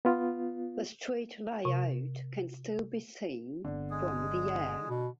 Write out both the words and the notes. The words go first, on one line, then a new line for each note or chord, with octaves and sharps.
The street layout can still be seen from the air.
B3 F4
C3
G1 D3 B3 C4
G#3 G#4
B2